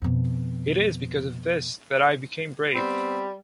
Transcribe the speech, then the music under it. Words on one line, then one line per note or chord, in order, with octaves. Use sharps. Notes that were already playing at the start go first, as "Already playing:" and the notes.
It is because of this that I became brave!
F2 B2
G3 B3 C4 B5